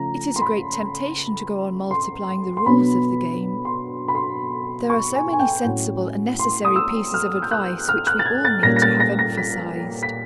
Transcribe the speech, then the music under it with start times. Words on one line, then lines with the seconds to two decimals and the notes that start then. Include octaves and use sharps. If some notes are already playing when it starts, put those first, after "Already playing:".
It is a great temptation to go on multiplying the rules of the game. There are so many sensible and necessary pieces of advice which we all need to have emphasized.
Already playing: C#3 F3 A3 C#4 A#5
0.36 C6
0.41 B5
1.91 C6
2.57 C6
2.66 B2 F#3 B3 D4 B5
3.65 C6
4.08 B5
4.15 C6
4.90 C#6
5.15 G#5
5.33 G#5
5.40 G5
5.64 A2 F#3 A3 C#4 F#5
6.39 C6
6.65 D#6
6.76 E6
7.14 F6
7.42 G6
7.51 F#6
7.89 F6
8.07 F#6
8.19 A6
8.26 G#6
8.45 A6
8.63 A#2 G3 A#3 C#4 A#6
8.76 A#6
8.82 A6
9.00 A#6
9.19 A#6
9.37 B6
10.03 B6